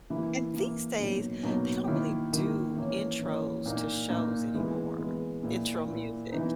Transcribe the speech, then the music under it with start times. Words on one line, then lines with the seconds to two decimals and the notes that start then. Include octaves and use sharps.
And these days, they don't really do intros to shows anymore. Intro music.
0.10 E3 A#3 E4
0.54 E3 A#3 E4
0.99 B2 F#3 A#3 D#4
1.43 B2 F#3 A#3 D#4
1.88 D#3 A#3 E4
2.33 D#3 A#3 E4
2.77 E3 A#3 C#4
3.21 E3 A#3 C#4
3.66 A#2 A#3 D#4
4.09 A#2 A#3 D#4
4.54 E3 G#3 B3
4.98 E3 G#3 B3
5.43 A#2 A#3 E4
5.87 A#2 A#3 E4
6.32 E3 B3 D#4